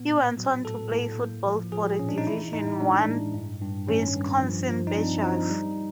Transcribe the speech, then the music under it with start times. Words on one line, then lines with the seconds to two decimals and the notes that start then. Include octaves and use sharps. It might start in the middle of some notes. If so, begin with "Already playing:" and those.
He went on to play football for the division one Wisconsin Badgers.
Already playing: A#2 B3
0.11 A2
0.38 F#3
0.64 A2 A4
0.91 A2
1.18 A#3
1.46 F3
1.72 F3 G#4
1.99 A#2 C#4
2.09 D4
2.18 D#4
2.27 E3 E4
2.53 A2 D#4
2.80 G#3 D4
3.08 A2
3.34 G2
3.62 G2
3.88 D#3 C#4
4.15 G2
4.42 F3
4.69 F3
4.87 D#4
4.96 C4 D4
5.23 F3 D#4
5.50 G3